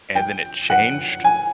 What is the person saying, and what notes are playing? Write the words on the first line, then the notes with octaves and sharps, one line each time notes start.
and then it changed,
G5
F#5
G#5